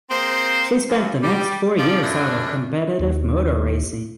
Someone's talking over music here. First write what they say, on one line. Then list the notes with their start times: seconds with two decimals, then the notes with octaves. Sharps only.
She spent the next four years out of competitive motor racing.
0.10 A#3 C4 G#4 C5
0.89 F#2
1.23 G3 G4
1.78 D#3 F3 C#4 F4 G4 D5
2.02 F#2 A3 D4
3.00 D#2